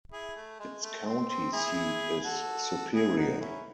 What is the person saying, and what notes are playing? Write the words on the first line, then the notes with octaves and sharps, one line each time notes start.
Its county seat is Superior.
E4 G#4
A3
G#3
A3
C4
C4
E4 G#4
F#4 A4
E4 G#4
D#4 F#4
C#4 E4